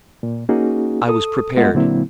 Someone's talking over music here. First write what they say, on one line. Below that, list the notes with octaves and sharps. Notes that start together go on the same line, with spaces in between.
I was prepared.
A#2
A#3 C#4 D#4 F#4 G#4
A4 D#6
G#3 B3 F4 D#5 F#5
A#2 D3 F#3 A#3 C4 E4